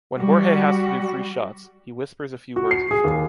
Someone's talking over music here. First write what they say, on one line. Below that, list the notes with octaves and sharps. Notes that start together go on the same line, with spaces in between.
When Jorge has to do free shots, he whispers a few words before.
G3 F#4
F#4
C7
G#4
D#2